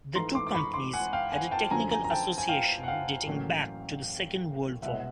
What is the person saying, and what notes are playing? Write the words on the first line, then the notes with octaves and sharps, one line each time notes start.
The two companies had a technical association dating back to the Second World War.
G#2 E3 A3 A#5 C6
C6 D6
D6
B5 C#6
C6 D6
F#5 G#5
F5 G5
F#5 G#5
G5 A5
F#2 D3 F3 G#5 A#5
G#5 A#5
A#5
G5 A5
G#5
F5 G5
F#5
F5 G5
A1 A2 F#3 A#3 C#4
C2 B2 G#3 B3 E5 F#5